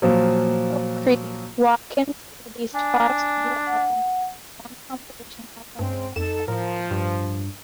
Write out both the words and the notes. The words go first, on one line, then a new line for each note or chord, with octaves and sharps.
With Nickel Creek, Watkins released five studio albums, one compilation album and seven singles.
A#2 F3 F#3
D4 G#5
F#5
G2 C#3 G#3 C4
F2 D#4 A4 E7
A2 F3 A#4
G2